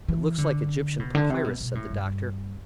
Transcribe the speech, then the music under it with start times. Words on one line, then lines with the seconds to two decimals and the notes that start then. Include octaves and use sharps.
"It looks like Egyptian papyrus," said the doctor.
0.08 E3
0.38 D3
1.00 B2
1.15 D3
1.30 C3
1.44 B2
1.61 B2
1.75 A2
1.91 G2